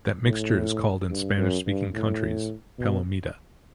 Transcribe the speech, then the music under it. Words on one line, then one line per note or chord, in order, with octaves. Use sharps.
That mixture is called in Spanish speaking countries "palomita".
A2
G2
F#2
G2
A2
B2